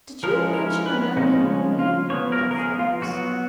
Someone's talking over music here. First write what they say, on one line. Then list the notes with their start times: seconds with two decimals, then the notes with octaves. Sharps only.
"Did you mention a man named Mooney?" cried Fredericks.
0.23 F3 G#3 C#4 A#4
0.54 A#4
0.86 B4
1.16 C#3 F3 G#3 C#4 D#4
1.79 F4
2.09 F3 B3 C#5
2.32 A#4
2.51 A#4
2.56 G#4
2.79 F4
3.02 F#3 B3 F#4